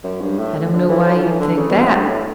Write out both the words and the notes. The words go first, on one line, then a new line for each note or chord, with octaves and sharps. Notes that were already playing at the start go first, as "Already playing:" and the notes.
"I don't know why you'd think that."
F#2
G2
A2
D3
E3
F#3
D3
E3
D3
C#3
B2
A2
G2
A2